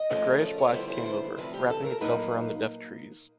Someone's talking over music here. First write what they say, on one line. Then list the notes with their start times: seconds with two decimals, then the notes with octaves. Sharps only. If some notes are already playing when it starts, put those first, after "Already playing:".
A greyish black came over, wrapping itself around the deaf trees.
Already playing: D#5
0.10 D#2 C#3 F3 A3 C#4
0.38 D#5
0.42 D5
0.58 C#5
0.73 D3 G3 B3 E4 C5
0.90 C5
1.06 C5
1.37 D2 C3 F3 B4
1.54 G4
1.70 A4
1.85 A#4
2.01 A#2 F#3 A#3 D#4 B4